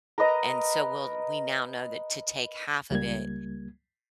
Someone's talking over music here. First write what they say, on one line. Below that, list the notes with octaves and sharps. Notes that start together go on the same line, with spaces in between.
and so, we'll, we now know that to take half of it
A#4 B4 D#5 A#5
C#2 G3 A#3 G#6